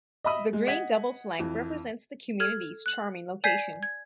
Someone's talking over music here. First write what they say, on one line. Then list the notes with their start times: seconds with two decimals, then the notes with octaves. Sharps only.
The green double flank represents the community's charming location.
0.25 D#5 E5 B5 D#6
0.53 G#3
0.67 D#5 F#5 G#6 B6
1.39 F2 E3
2.40 A4 F6 G#6
2.86 F#6 F#7
3.44 D5 G#5 G6 G#6 B6 C7
3.83 G#6